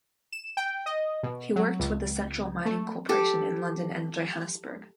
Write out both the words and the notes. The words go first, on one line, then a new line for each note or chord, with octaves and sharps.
He worked with the Central Mining Corporation in London and Johannesburg.
E7
G5
D#5
B2
F#3
C#2
A3
G4 A4